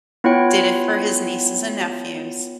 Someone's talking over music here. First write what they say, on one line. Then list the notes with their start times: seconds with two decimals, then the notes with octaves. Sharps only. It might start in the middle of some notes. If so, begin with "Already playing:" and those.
Did it for his nieces and nephews.
0.24 B3 E4 F4 C#5 F#5 G5